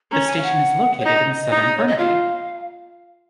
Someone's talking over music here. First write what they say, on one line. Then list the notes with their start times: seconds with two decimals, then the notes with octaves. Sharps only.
The station is located in southern Burnaby.
0.11 C#4 A#5
0.27 G#5
0.37 F5
0.43 F#5
1.00 C#5
1.05 D#4 D#5
1.52 D#4
1.77 C#5
1.88 D#5
1.98 F4 F5